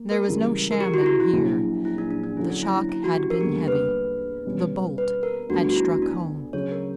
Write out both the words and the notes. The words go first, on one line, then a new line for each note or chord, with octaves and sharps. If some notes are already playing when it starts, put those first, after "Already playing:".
There was no shamming here--the shock had been heavy--the bolt had struck home.
Already playing: A#3
A#4
C#2 C#3 E3 G3
A#4
G4
F#4
E4
F#4
E4
A#1 A#2 F#3
E4
D4
D4
D4
D3 F#3 C#4 E4 F#4
D4
E4
E4
E4
F#4
G4
A#4
E2 D3 G3 A#3 G4
B4
B2 G3 C#4
B4
A#4
D2 D3 G3 B3 D4 F#4
F#4
E4
D4
C#3 F#3 C#4 C#5
A#4